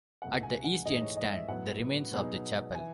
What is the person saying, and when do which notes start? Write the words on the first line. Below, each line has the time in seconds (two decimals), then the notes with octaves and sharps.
At the east end stand the remains of the chapel.
0.22 C#2 B2 A3 E4 F#5
0.43 G#5
0.64 F#5
0.85 G#2 E3 A3 D#4 G#4 D#5
1.01 C#5
1.17 D#5
1.33 E5
1.48 A2 F#3 B3 F#5
2.12 B2 F#3 B3 D#4 G#4
2.75 E3 G#5